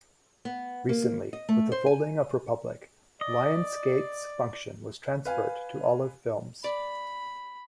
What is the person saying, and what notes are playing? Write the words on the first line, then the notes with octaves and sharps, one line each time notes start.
Recently, with the folding of Republic, Lionsgate's function was transferred to Olive Films.
B3
A#3
D#5
A3
C5
G#5
D5 D#5
B4 F5 G#5
D5 B5